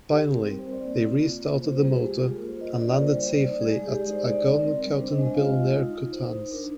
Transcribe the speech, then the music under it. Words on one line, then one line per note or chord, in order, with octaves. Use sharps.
Finally, they restarted the motor and landed safely at Agon-Coutainville near Coutances.
D#4 G4
C4
A#4
G3 A#4
C5
C4
D5
A#3
F4
A#3
A#3
F4 C5
C5
G3
G#4
G#3 G4
G#4
F4
G#4
A#3 A#4
C5
F4
D#5
D4 D5
C5
A#3
A#4
G3 C5
C5
G3
D5
D#4
G#4
G#3
G#4
G#3 G4
D5
D#4
C5
D#4 D5
D#4
C4 A#4
G3
D4 C5
D#5
G#3
D#5
F4 F5
D#5
F4
D#4
D#4
D#4 C5
D#4
D4 A#4